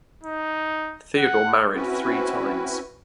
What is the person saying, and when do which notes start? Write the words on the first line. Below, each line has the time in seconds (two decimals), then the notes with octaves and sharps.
Theodore married three times.
0.23 D#4
1.18 F#5
1.75 C4 C#4 E4 F#4 B4